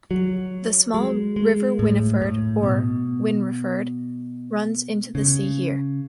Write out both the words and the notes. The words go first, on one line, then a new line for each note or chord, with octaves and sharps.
The small River Winniford or Wynreford runs into the sea here.
F#3
G#3
G#3
A2
A2
B2
C#3